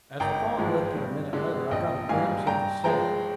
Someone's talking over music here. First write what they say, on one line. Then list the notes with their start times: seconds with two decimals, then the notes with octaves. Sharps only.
As the fog lifted a minute later I got a glimpse of the sail.
0.20 G#1 G5 A#5
0.58 G#2 F3 G#3
0.95 G2
1.33 D3 G#3
1.71 A#1 D#5 G5
2.09 G#2 G3 F5 G#5
2.47 G2 G5 A#5
2.84 F3 G#3 G5 A#5